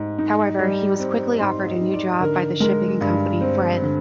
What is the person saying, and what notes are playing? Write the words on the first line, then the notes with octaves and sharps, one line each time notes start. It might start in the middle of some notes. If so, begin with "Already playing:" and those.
However, he was quickly offered a new job by the shipping company Fred.
Already playing: G#2 G3 C4
D#4
G3
C4
G#2 C6
D#5
D#4
D5
D3 A#4
G#3 A#4
G2
C4
D3